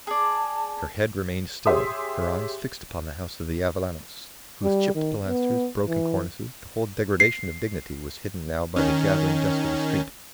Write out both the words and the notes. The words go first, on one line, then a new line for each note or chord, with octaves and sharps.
Her head remained still, her eyes fixed upon the house of the Avellanos, whose chipped pilasters, broken cornices, the whole degradation of dignity was hidden now by the gathering dusk of the street.
G#4 D5 A5
G4 G#4 C#5 E5 C6 D#6
G3
D#3
B3
E3
C7
D#3 C#4